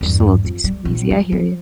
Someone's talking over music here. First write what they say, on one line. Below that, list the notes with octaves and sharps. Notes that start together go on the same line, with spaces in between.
Just a little too skeezy, I hear you.
E2 G2
F2
G3
A#1
F3
F3